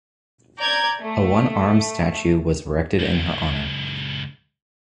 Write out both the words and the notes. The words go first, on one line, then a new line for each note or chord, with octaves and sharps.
A one-armed statue was erected in her honor.
D5 A#5 G6 G#6
A3
C#2 F#2